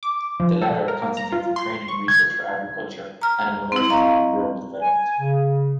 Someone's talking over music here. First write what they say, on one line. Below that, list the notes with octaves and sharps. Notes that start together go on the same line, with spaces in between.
The latter concentrates on training and research for agriculture, animal husbandry and rural development.
D6
F3
A4
A#4
A#3
A#5
F4
C6
C#6
G#6
A#5 F6
C4 E4
D#5 F5 A#5 C#6
G#5
C#3